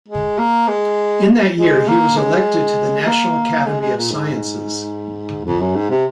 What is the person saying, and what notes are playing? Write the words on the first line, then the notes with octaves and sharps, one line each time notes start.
In that year he was elected to the National Academy of Sciences.
G#3
A#3
G#3
G#3
A#3
G#3
G#3
A#3
G#3
G#3
A#2
G#2
F2
F#2
G#2
C3